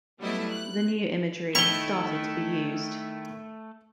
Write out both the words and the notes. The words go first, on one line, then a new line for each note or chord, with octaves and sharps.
The new imagery has started to be used.
F#3 G3 A3 B3 E4 D#5
F#6
D#3 A3 E4 A4 C#6 F7 G7